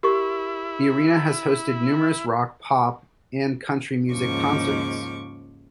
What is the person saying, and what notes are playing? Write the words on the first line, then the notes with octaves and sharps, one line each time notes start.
The arena has hosted numerous rock, pop, and country music concerts.
E4 G4 A#4 C#6
D#2 G#2 C#3 F3 C#6 D6